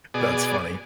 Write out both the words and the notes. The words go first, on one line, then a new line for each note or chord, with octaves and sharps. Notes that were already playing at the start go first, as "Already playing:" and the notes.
That's funny.
B2 G#4 D5